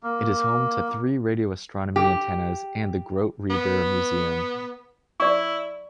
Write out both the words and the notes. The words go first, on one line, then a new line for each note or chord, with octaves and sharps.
It is home to three radio astronomy antennas and the Grote Reber Museum.
A#3
G4
B3
E4 D5 C#6